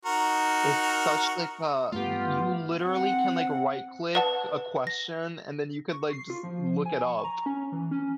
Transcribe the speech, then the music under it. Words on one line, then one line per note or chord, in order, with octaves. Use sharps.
it's such, like, a y you literally can, like, right click a question, and then you could, like, just look it up,
D#4 F#4 A#4
G2 A3 B3 F4 G4
C4 F#5
B4 D5 F#5 A5
A#6
C#6
C7
F4
F3
G#5
C#6
A#5
C#4
E3
C#4